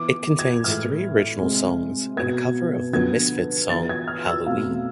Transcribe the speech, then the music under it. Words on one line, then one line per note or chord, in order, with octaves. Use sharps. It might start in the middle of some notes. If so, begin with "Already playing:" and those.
It contains three original songs and a cover of the Misfits song "Halloween".
Already playing: E3 B3 D6
G#6
A2 E3 G#3 F6
C3 G#3 C4
B2 B3 G#6
D3 F3 B3 G#6
E3 B3 A6
G#6
F6
E6
B2 A3 C4 F5